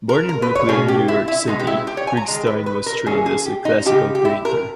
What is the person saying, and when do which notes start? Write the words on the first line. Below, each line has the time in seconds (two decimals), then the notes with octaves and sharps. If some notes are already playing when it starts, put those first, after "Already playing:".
Born in Brooklyn, New York City, Krigstein was trained as a classical painter.
0.09 A#4
0.29 A#4
0.42 B4
0.55 C#5
0.68 B2 A#3 C#4 G#4
0.88 G4
1.08 E4
1.28 E4
1.47 B2 G#3 B3 D#4
1.59 G4
1.67 E4
1.87 G4
1.97 C#5
2.07 G#5
2.17 A#5
2.28 D#3 G#3
2.47 B4
2.66 B4
2.86 A#4
3.06 E3 A#3 C#4 G#4
3.26 G#4
3.46 G4
3.65 D#4
3.85 C#3 G#3 D#4 G4
4.15 G4
4.25 E4
4.45 A#4